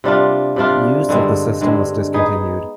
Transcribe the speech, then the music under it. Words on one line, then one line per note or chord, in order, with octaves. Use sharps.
Use of the system was discontinued.
C3 G3 D4 F4
C3 G3 D4 F4
G2 D3 G#3 C4
G2 D3 G#3 C4
B3 D#4 G#4